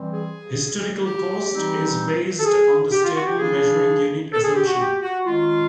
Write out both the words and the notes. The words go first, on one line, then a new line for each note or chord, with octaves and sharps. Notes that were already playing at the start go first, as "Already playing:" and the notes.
Historical cost is based on the stable measuring unit assumption.
Already playing: E3 G3 C4
G#4
G4
E3 G3 C4 D#4
A4
G#4
G4
F4
F#4
G4
C#3 F3 A#3 D4 G#4
A4
G#4
G4
F#4
G4
F#4
D#3 G#3 C#4 F4